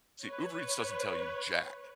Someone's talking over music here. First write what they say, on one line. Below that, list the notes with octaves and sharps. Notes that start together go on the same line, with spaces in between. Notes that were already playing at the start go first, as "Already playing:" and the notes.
See, Uber Eats doesn't tell you jack.
B4 C#5